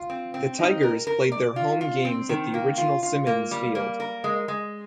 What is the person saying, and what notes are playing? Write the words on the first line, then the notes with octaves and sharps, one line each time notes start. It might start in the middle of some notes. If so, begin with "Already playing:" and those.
The Tigers played their home games at the original Simmons Field.
Already playing: F4
C4
C4
D#4
A#4
A#4
D5
F4
F4
C4
D#3
A#3
F4
F4
A#3
G3
A#3
A#4
G#3
G#3